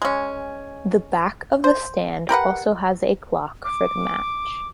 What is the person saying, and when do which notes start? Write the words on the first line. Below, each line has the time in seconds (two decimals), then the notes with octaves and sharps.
The back of the stand also has a clock for the match.
0.02 G#3 C#4
1.64 C5
2.29 G4 A#4 B4 F#5
3.64 D6